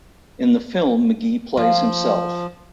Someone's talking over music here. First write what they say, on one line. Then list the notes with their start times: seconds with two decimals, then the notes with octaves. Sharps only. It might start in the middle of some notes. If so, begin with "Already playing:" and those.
In the film McGee plays himself.
1.57 F3 F4